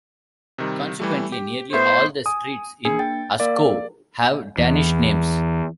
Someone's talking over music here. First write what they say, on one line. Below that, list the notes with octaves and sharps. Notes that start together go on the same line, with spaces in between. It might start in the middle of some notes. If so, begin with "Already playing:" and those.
Consequently, nearly all the streets in Askov have Danish names.
C3 D#3 G3
E3 G3 A3
G4
A2 B3 C5 E5
G#5 D#6
A#3 D4 G#4 C#7
G5 A6
A#3 A#4 D5 F5
E2